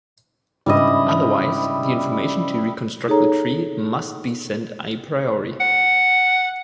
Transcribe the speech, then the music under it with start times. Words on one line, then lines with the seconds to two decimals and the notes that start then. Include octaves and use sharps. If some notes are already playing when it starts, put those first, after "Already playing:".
Otherwise, the information to reconstruct the tree must be sent a priori.
0.66 G#2 C#3 G3 D4 E4 D#5
3.08 D#4 G#4 A4 C#5 A#5
5.60 F#5